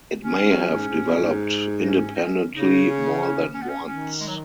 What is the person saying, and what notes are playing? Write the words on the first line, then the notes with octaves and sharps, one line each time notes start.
It may have developed independently more than once.
C#4
G#3
F#3
G#2
G#2
B2
F#2
G#2
D#4
C#4
D#4
C#4
C#3 D#4
C#4
C#4
C#4
B3
C#4
D#3 C#4
G#3
F#3